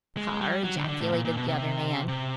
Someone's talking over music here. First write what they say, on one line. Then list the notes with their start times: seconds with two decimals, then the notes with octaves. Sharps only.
"Har!" ejaculated the other man.
0.17 G#3
0.41 G3
0.64 F#3
0.77 D3
0.84 D#3
0.88 D3
1.00 A2
1.12 A#2
1.25 A#2
1.37 B2
1.48 C3
2.08 C3